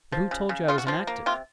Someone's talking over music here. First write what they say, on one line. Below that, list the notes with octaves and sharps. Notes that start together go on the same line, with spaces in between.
"But who told you I was inactive?"
F3
C#3
C#3
C#3 F4
F#4
F3 F4
A#3
C3 F4